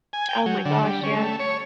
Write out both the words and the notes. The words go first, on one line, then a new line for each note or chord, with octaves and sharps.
Oh, my gosh, yeah.
G#5
G5
F#3
D3
G3
C#4
A3
C#5